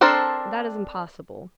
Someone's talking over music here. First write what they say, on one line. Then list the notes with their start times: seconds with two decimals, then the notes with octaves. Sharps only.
"That is impossible."
0.01 C4 D4 A4 A#4 C5